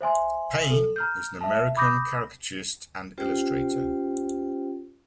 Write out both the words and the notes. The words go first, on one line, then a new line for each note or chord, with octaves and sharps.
Payne, is an American caricaturist and illustrator.
C5 E5 G#5 C6
A4
A#5 F6 G6
E5 A5
B5 D6 D#6 G6 A#6
C#4 F4 G4 C5 G5